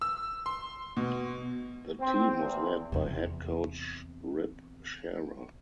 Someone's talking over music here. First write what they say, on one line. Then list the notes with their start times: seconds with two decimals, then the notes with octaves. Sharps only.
The team was led by head coach Rip Scherer.
0.01 E6
0.46 C6
0.97 B2
2.00 C4
2.40 E2
2.92 E2 C3